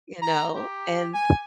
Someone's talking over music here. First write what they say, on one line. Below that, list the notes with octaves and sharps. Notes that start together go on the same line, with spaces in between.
you know, and
A#5
G4
G#5